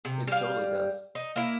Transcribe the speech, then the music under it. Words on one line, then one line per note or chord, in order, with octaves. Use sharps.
It totally does.
C3
G3 F5
D#4
A#3 E4